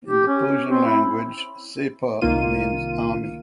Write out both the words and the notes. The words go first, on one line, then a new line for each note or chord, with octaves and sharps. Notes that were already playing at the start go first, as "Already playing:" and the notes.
In the Persian language "Sepah" means "army".
G4
C#4
C4
E4
C2 D#3 A#3 F4 D#7